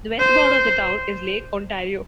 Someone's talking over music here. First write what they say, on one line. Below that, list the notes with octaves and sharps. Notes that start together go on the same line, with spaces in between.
The west border of the town is Lake Ontario.
C5